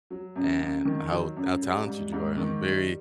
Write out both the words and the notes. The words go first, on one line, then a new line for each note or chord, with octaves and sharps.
and how how talented you are, and I'm very
F#3
F#2
F#2
D#3
F#3
F#2
G3
G#2
G#2
D#3
G3